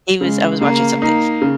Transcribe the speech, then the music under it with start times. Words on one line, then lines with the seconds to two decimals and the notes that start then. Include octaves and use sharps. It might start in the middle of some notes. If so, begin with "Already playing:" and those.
he was I was watching something,
0.21 C#3 G#3
0.61 C#3 A#3
1.02 A#3 D#4
1.42 C#3